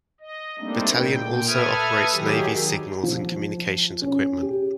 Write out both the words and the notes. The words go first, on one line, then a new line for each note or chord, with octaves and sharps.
Battalion also operates Navy's signals and communications equipment.
D#5
G3 A3 A#3 C4 D4 D#4
A#2 G5
A4 B4 E5 D#6 F6 G#6
D#3 F#3 G4 G#4
F3
C#4
G4